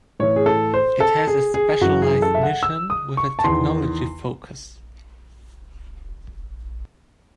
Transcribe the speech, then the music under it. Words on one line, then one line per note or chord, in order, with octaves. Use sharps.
It has a specialized mission with a technology focus.
A2 E3 C#5
G#4
A4
C5
A4
G#4
G#4
F#2 E3 F#4
G#4
A4
E5
F#5
E6
D#6
C#6
A5
E2 D#3 C6